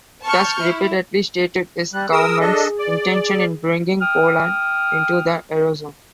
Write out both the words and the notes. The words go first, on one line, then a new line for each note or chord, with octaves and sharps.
Tusk repeatedly stated his government's intention in bringing Poland into the Eurozone.
A5 C#6 F6 G6
E4
G3 F#6
G#4 A#4 D#6 E6
D4 A4 D#5
D5
G5 D#6 F6